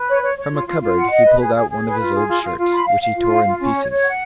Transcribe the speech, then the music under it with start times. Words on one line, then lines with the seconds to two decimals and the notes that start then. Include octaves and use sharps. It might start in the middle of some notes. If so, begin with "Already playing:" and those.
From a cupboard he pulled out one of his old shirts, which he tore in pieces.
Already playing: B4
0.08 C#5
0.22 C#5
0.37 C#5
0.52 F4
0.66 F4
0.82 F4
0.96 F#5
1.10 D#5
1.25 B4
1.40 G#4
1.55 G#4
1.70 G#4
1.84 B4
1.99 F4
2.13 G#4
2.28 F4
2.43 F4
2.57 F4
2.73 B5
2.86 F5
3.02 F5
3.16 F4
3.31 F5
3.46 F4
3.60 C#4
3.75 C#5
3.90 C#5
4.04 F#5